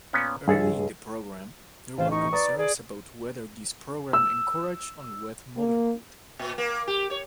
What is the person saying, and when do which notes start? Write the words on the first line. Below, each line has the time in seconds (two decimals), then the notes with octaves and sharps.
Early in the program, there were concerns about whether this program encouraged unwed motherhood.
0.13 A#2 B3 C#4
0.48 C#2 G2 G#4 A4
1.98 A1 C5 F5
2.10 D#4 C#6
2.32 B4 D5 A#5 D#6
2.58 G#4 D5
4.13 E6
5.57 A#3
6.39 A#2
6.58 A#3
6.87 G4
7.10 C#5